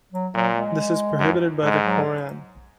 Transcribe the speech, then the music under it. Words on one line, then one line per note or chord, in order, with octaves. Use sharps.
This is prohibited by the Quran.
F#3
A#2 F#3
G#3
F#2
G#2 G#3
F#3